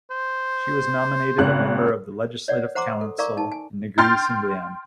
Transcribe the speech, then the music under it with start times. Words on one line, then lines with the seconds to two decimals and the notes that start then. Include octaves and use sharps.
She was nominated a member of the Legislative Council in Negri Sembilan.
0.11 C5
1.38 G#1 C#3 F#6
2.48 C#5 D5 F#5
2.75 C5 F#5 A#5 C6 D6
3.01 A4
3.18 A#4 D5 F5 A#5 C#6 D6
3.37 D#4 A5
3.52 G#5
3.98 G5 C6 F6 G6 A6